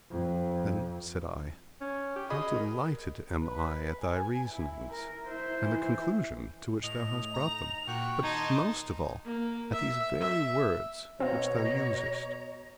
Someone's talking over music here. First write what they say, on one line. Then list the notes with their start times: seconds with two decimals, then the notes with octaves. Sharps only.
Then said I: 'How delighted am I at thy reasonings, and the conclusion to which thou hast brought them, but most of all at these very words which thou usest!
0.11 F2
1.81 C#4
2.16 G4
2.30 F#4 G#4 D#5 B5
2.54 A#4
3.43 B4
4.01 G#5
4.54 E4
4.90 A#4
5.28 E4 C5 E5
5.62 E3
6.83 A2 D#5 F7
7.34 D#4 A#5
7.87 A#2 F#4 G5 C#6 F#6
8.23 D#3 D#4 A5 A#5 C6 G#6
9.25 A#3
9.72 E5
10.20 E5
11.20 B2 C4 C#5 D#5 F5 A#5